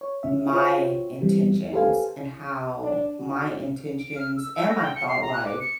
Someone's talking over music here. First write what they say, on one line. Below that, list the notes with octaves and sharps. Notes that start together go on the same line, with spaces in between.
my intentions, and how my intentions and my thought life
C#5
C#3 C#4 E5
F4 F#4 C5 C#5 E5 G5
E3 G3 C4
G4 A4 B4 C5 F5 G#5
D4
F#4
D7
F6
E6
E6
A#6
G5
C#7
C7
A#5
F#6
D6
C#7